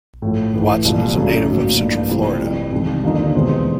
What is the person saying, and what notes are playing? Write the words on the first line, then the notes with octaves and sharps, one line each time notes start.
Watson is a native of Central Florida.
A2 F3 A3
A2 E3 A3
C2 A#2 F3 G#3
F#2 C#3 F#3 A3 D4
A2 F3 A#3 D#4
G2 E3 G3 A#3 D4
C3 F3 A3 C4 E4
F2 C3 E3 G3
C2 C3 D#3 G#3
D#2 D3 F3 A#3 D#4
E2 B2 G#3 C4